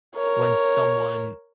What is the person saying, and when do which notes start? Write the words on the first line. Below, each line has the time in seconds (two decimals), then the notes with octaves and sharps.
when someone
0.16 A#4 C#5